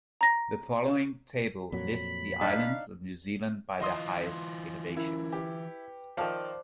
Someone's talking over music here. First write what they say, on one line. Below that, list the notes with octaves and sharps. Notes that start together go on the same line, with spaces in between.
The following table lists the islands of New Zealand by their highest elevation.
A#5 A#6
F2 A#2 F#3 B5
D4 D#4 A4 F5
E3 F4 D#5 C6 D#6
C#4 E4 A#4
G4 B4 G5
D#3 F3 C5 D5 F5 A5 D6 F6